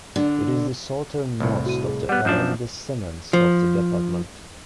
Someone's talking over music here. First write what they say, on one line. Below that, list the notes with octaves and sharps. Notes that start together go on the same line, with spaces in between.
It is the southernmost of the arrondissements of the department.
D3
C2 A2
F#4 D#7
G#4
G3 B3 F#5 F#6
F#2 F3 D4 G6 E7
F3